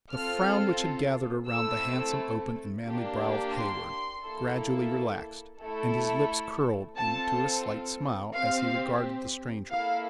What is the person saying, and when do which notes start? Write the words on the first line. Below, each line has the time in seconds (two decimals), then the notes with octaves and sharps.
The frown which had gathered around the handsome, open, and manly brow of Heyward, gradually relaxed, and his lips curled into a slight smile, as he regarded the stranger.
0.12 C4 F4 A4 F6
1.49 A3 C4 E4 A4 E6
2.86 A#3 D4 G4
3.55 C6
4.23 A#3 E4 A4
5.59 A3 E4 A4
6.97 C4 F4 A4 A5
8.34 C4 G4 F5
9.70 A#3 E4 A4 F5